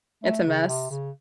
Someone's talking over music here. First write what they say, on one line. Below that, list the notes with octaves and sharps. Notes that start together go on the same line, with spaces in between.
It's a mess.
A3
C#3
C3
C#3